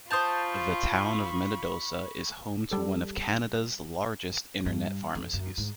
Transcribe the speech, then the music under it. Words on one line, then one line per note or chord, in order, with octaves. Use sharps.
The town of Minnedosa is home to one of Canada's largest internet pharmacies.
F4 C5 A5 B5 C#6 D#6 G6 F7
G3 A4
G2
F2
F#2
G#2